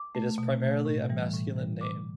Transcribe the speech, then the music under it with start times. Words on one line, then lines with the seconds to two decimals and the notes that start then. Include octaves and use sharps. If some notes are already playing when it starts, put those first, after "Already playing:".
It is primarily a masculine name.
Already playing: D6
0.15 A3
0.38 B2
0.62 A3
0.85 A2
1.09 E3 G3
1.33 A2
1.57 E3 G3
1.81 D3 D6